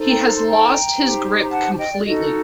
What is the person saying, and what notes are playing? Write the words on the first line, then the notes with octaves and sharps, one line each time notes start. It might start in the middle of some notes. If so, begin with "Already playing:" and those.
He has lost his grip completely.
Already playing: D#4 A4 C5
G5 A#5
A#5
C6
G5 A#5
D#4 G4 C5
A#5
F#5 A5
A5
D#5 G5
D5
D#4 F#4 A4 D#5